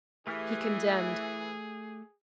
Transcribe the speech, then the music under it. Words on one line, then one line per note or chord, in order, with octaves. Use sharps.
He condemned.
E3 A3 G4 G#4 F6